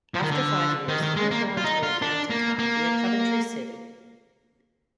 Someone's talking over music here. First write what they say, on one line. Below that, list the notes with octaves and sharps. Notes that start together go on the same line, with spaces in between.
After five years he moved on to Northampton Town via Coventry City.
F3
D#3
D3
D#3
D#3
G#3
A#3
F4
D#4
F4
D4
A#3
A#3